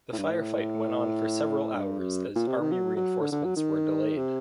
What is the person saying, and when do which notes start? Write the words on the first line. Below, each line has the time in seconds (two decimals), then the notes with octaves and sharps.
The firefight went on for several hours as army reinforcements were delayed.
0.13 A2
0.18 G2
0.30 A2
1.74 G2
1.99 F#2
2.35 A#2
2.48 C3
2.60 D#3
2.71 F#3
2.96 F#3
3.20 D3
3.32 D3
3.45 F#3
3.56 D#3
4.17 C3